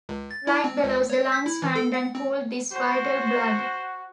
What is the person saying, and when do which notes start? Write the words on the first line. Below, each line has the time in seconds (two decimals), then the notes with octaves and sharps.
Like bellows, the lungs fanned and cooled this vital blood.
0.09 C#2
0.31 A6
0.47 E4
0.64 C4
0.84 C#2
1.10 C#5
1.32 B6
1.46 E4
1.62 E3
1.76 A4
1.94 F#5
2.15 C4
2.73 F#4 C5